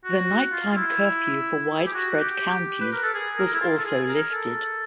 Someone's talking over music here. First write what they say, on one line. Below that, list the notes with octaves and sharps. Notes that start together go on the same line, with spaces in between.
The nighttime curfew for Widespread counties was also lifted.
F#4
F4
F4
E4
G#4
G4
F#4
G4
B4
A#4
A4
G#4
A#4
E4
F4
A4
G#4
A#4
A4